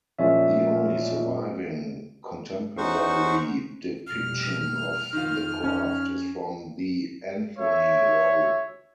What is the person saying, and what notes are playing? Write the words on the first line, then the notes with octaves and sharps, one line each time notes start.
The only surviving contemporary depiction of the craft is from the Anthony Roll.
A#2 F3 G#3 C#4 E5
C#4 D#4 F#4 C5 F#5 C#6
F1 B2 G3 F6
F2 D#3 F4
C#4
C#5 E5